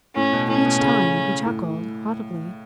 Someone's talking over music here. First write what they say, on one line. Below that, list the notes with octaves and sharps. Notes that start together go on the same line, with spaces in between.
Each time he chuckled audibly.
A2 C#4
B2
A2 C#4
B2
A2 C#3
A2